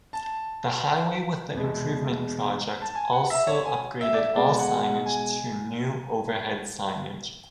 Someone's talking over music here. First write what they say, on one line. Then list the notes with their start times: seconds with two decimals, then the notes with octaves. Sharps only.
The highway with the improvement project also upgraded all signage to new overhead signage.
0.13 A5
1.54 E2 B2 G#3
2.81 A5
2.95 G#5
3.13 F#5
3.30 E5
3.47 C#5
3.65 G#5
4.01 E5
4.14 D5
4.18 E5
4.35 B2 G#3 D5
4.59 F#5
4.83 F#5
5.06 G#5